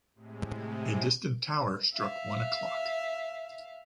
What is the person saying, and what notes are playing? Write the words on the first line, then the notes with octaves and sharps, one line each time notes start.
A distant tower struck one o’clock.
A2 C3 G#3
E5 F5